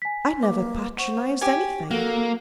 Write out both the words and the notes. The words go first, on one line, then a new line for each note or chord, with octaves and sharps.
I never patronised anything.
G#5 B6
A#3 B4 D6
C5 F#5 C#6
G4 G#5
A#3 F#4 A4